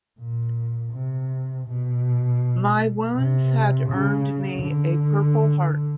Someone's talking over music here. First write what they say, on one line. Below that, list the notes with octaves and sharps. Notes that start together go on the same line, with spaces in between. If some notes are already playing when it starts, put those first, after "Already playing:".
My wounds had earned me a Purple Heart.
A#2
C3
B2
C3
C#3
D3